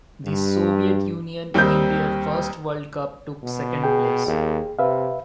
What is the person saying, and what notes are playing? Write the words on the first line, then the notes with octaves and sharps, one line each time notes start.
The Soviet Union, in their first World Cup, took second place.
G2
D#2 G3 C4 D#4 A#4 G6
B2
G#4 G5
D#2
C3 B4 E5 F5